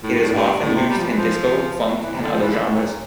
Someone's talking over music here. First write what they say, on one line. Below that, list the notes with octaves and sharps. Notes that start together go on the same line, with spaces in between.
It is often used in disco, funk, and other genres.
A2
G2
A2
G2
A2
C3
G3
F3
E3
F3
E3
C3
D3
F3
E3
D3
A#2